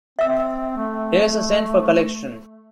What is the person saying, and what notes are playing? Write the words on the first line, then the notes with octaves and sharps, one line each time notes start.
Here’s a cent for collection.
C4 E5 E6
A3